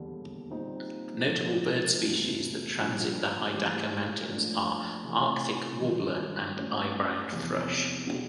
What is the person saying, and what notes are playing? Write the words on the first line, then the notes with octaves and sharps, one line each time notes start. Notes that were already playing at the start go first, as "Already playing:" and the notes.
Notable bird species that transit the Hidaka mountains are Arctic warbler and eyebrowed thrush.
Already playing: E1 D#2 D3 G3
A#2 G3 C4 D#4
A#1 G#2 F3
E1 D2 C3
G2 D3 F3 A#3 D4
A1 G#2 E3 G3
A#1 A2 F3 A3 D4
C3 E3 A3
G#1 G2 D#3
A2 F#3 A3 C#4
F1 E2 C3 E3
B2 G#3 B3 D4 G4